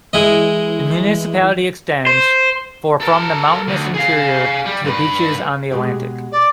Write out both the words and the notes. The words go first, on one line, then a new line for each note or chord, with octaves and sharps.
The municipality extends for from the mountainous interior to the beaches on the Atlantic.
E3 G#3 E4 D#5
C5
A4 A#4
D2
G#4 F5
G3
G2 B4
B2 G#3 G4
D5